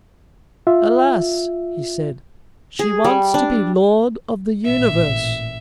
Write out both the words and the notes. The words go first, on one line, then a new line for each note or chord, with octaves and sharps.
"Alas," he said, "she wants to be Lord of the Universe."
F4 E5
G#4
G3
D4
A1 A#2 E5